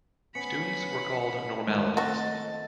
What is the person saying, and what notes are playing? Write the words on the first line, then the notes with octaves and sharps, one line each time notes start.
Students were called "Normalites".
B3 C#4 B5 B6 C#7
D#3 F3 G#3 A3
C4 F#4 D#5 A6